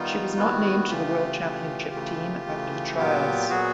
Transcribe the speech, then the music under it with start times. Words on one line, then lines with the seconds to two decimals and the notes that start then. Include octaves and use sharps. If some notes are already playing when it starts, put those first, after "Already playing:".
She was not named to the World Championship team after the trials.
Already playing: D#3 G3 B3 D#4 F4
0.37 D#3 G3 B3 E4 F#4
0.89 C#3 E3 A3 F4 G4
1.41 C#3 E3 A3
1.94 C#3 E3 A3
2.46 C#3 E3 A3
2.97 A#2 F#3 B3 F4 G4
3.49 A#2 F#3 B3 F#4 G#4